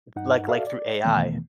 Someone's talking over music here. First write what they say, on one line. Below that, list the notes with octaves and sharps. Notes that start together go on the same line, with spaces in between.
Like like, through AI.
G2 D#4 F#5
F#4 A4 D5 E5 F5
D5
E2 B2 D#3 E3 A3 B3